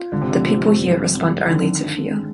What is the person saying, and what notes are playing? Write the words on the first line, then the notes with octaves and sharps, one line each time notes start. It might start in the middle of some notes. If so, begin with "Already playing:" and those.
The people here respond only to fear.
Already playing: F4
G#1 D3
C3
D3
C3 F3
G2
C4
D3 D#3
D4
G#3